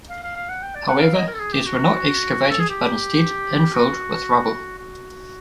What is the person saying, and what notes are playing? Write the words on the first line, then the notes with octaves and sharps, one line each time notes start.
However, these were not excavated but instead infilled with rubble.
F5
F5
F5
F#5
G5
D5
F#5
F5
D#5
A#4
A4
G#4
G4
F#4
A4
G#4
G4
F#4
F#4